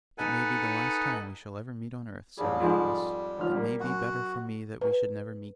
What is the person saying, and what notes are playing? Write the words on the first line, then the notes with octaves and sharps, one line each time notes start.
'It may be the last time we shall ever meet on earth,' said Nicholas, 'it may be better for me that we should never meet more.'
D#4 A4 B4 F#5 G#5
A1 G3 G#4
F2 G#2 G#3
G#1 F3 F6
G3 A#3
F#2 F#4
B4